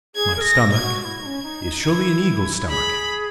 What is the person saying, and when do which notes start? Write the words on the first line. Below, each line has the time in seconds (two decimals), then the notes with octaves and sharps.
My stomach--is surely an eagle's stomach?
0.15 G#4 G#6
0.37 A#4
0.40 G#4 A#6
0.72 G#6
0.79 F#4
1.00 E4 F#4 G#6
1.21 D#4
1.25 C#4
1.43 D#4
1.64 D#4
1.85 E4
2.69 G#4 B5